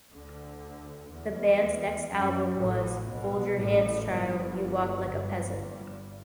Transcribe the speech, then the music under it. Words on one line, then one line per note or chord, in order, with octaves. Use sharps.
The band's next album was "Fold Your Hands Child, You Walk Like a Peasant".
D2 D3
E2
F#2
A1 A2
B1 B2
A1 A2
G1 G2
G1 G2
G1 G2